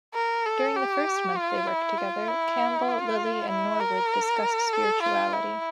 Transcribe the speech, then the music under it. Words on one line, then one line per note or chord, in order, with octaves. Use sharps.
During the first month they worked together, Campbell, Lilly, and Norwood discussed spirituality.
A#4
A4
G4
F4
E4
F4
E4
F4
E4
A#4
A4
F4
E4